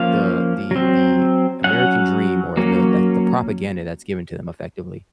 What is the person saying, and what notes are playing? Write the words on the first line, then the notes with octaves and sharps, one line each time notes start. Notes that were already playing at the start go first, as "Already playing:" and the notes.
the the the American dream or the, like, the propaganda that's given to them effectively
Already playing: F3 A#3 C#4 F5
F#3 C4
F#3 C#4 F#5
F#3 A#3 C#4